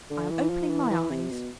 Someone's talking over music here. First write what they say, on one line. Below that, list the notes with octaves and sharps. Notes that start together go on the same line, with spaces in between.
I am opening my eyes.
D3
E3
F3
E3
E3
C3
B2